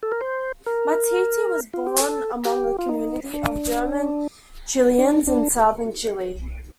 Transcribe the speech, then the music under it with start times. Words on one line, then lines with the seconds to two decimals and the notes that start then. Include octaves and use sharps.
Matthei was born among a community of German Chileans in Southern Chile.
0.03 A4
0.12 A#4
0.21 C5
0.66 A#4
1.74 F4
1.87 G4
2.00 A4
2.45 G4
2.79 F4
2.89 D#4
3.34 D4
4.98 D4
5.27 D4